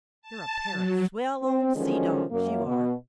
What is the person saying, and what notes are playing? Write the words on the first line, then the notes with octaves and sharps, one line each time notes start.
You're a pair of swell old sea-dogs, you are.
A5
F#3
C4
D3 D#3 F3 F#3 G#3 C#4
F#2 A#3
B2